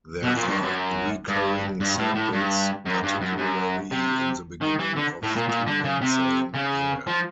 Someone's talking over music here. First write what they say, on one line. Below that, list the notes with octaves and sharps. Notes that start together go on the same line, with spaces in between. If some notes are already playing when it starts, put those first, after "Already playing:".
There are recurring samples, particularly in the beginning, of two men saying yeah!
B2
A#2
G2
F#2
G2
G2
A2
A2
G2
F#2
G2
F#2
F#2
C3
D#3
E3
D3
A2
A#2
A#2
D3
C#3
C3
C#3
F3